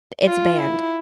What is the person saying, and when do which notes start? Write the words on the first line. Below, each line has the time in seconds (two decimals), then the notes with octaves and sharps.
it's banned.
0.25 F4
0.58 E4